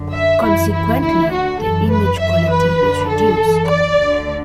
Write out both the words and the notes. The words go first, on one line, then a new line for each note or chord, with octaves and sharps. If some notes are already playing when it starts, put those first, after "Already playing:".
Consequently, the image quality is reduced.
Already playing: F#2 D3
E5
F#2 E3 E4
E4
D2 E4
D3
F#4
F#2 E3 A4
B4
F#2 E3 E5
B4
F#2 D3
A4
F#2 E3
D5
D2 D3